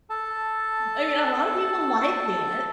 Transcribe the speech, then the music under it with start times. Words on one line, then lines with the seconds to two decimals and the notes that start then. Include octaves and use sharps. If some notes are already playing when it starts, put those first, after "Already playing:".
I mean, a lotta people like it.
0.10 A4 A5